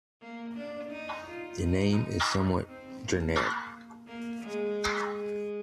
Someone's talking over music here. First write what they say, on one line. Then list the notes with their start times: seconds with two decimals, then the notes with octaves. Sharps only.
The name is somewhat generic.
0.22 A#3
0.56 D4
0.91 D#4
1.27 F4
1.62 D#4
2.67 C4
3.02 A#3
4.07 A#3
4.42 G#3
5.12 G#3